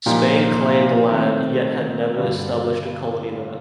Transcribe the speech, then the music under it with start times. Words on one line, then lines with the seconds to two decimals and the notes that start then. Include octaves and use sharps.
Spain claimed the land yet had never established a colony there.
0.06 A#2 F3 A#3 D#4 G4
1.11 D#3 A3 C4
2.16 G2 D3 G3 D4 F4